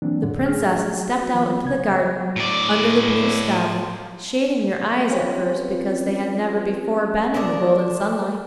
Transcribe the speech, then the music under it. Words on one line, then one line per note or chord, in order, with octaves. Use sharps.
The princesses stepped out into the garden, under the blue sky, shading their eyes at first because they had never before been in the golden sunlight.
E3 F#3 A#3 C4 D4
F2 A2 D3
A3 G#4 F6
F#4 F#5
E3 F#3 F4
C2 C#3 B3 G#6
A2 D5
C4 C#4 F4 G4 B4
B3 D4 A4 A#4